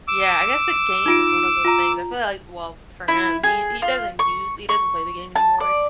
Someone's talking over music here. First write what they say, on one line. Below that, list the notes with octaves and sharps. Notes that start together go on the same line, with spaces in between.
Yeah, I guess the game is one of those things, I feel, like, well, for him, he he doesn't use he doesn't play the game anymore.
D6 E6
D#4 F4 D7
F4 A#5
E4
G#4
F4
C#6
C#6
A5
D5